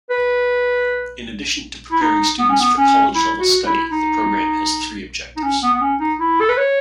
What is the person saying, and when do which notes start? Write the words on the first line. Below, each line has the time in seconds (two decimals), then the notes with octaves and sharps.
In addition to preparing students for college-level study, the program has three objectives.
0.10 B4
1.92 E4
2.01 D#4
2.39 B3
2.49 C#4
2.60 B3
2.78 C#4
3.15 E4
3.40 F#4
3.66 E4
3.92 D#4
5.37 D#4
5.43 C#4
5.63 B3
5.74 B3
5.81 C#4
6.00 D#4
6.20 E4
6.41 A4
6.49 B4
6.57 C#5